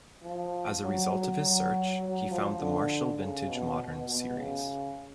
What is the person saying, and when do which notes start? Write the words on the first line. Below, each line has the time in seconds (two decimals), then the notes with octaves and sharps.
As a result of his search he found the Marshall Vintage Modern series.
0.24 F3
0.83 F#3
1.13 F#3
1.43 F#3
2.01 F#3
2.31 F3
2.60 D3
3.19 C#3
3.49 B2
3.78 B2
4.07 B2
4.37 C#3